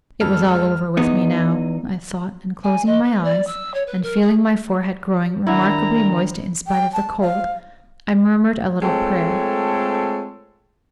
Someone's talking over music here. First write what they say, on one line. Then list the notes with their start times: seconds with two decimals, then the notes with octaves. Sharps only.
It was all over with me now, I thought, and closing my eyes, and feeling my forehead growing remarkably moist in spite of the cold, I murmured a little prayer.
0.21 F2 G#3 A4 F6
0.97 E2 B3 D#4
2.64 G#5
2.86 D#5
3.04 B4
3.24 D5
3.47 E6
3.74 C#5
3.87 B4
4.03 A#4
4.22 G#4
5.47 D#3 D4 E4 F#4 A#5
6.67 G5
6.93 A5
7.20 F5
8.83 G#3 A3 C4 F4 A4 C#5